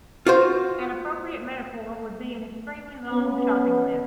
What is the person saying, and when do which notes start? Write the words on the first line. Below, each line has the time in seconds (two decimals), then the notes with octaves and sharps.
An appropriate metaphor would be an extremely long shopping list.
0.27 F4 F#4 C5
3.11 B3 C#4